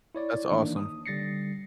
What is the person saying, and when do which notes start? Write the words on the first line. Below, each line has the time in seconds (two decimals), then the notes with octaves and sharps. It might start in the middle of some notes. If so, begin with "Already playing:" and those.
That's awesome.
0.15 E4 C#5 D5
0.51 D#3 E3 A#3 D4 D#4
0.77 D#6
1.06 D3 G3 A6 A#6 C7 C#7